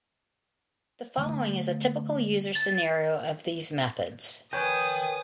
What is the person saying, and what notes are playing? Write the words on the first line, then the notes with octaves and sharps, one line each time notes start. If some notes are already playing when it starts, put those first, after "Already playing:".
The following is a typical user scenario of these methods.
D3 A3 B3
A6
A#4 B4 C#5 G5 G#5 D#6 G6